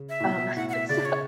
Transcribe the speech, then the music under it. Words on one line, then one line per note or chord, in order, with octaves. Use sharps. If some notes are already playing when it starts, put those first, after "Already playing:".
Um, so
Already playing: C#3
E5
A2
B2
A2 F#5
F#5
E5
C#3 D5
C#5